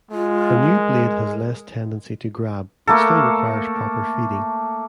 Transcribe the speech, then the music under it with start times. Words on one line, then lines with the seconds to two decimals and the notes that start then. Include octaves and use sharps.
A new blade has less tendency to grab but still requires proper feeding.
0.11 G#3 F4
0.64 A#4
2.87 A3 A#3 A4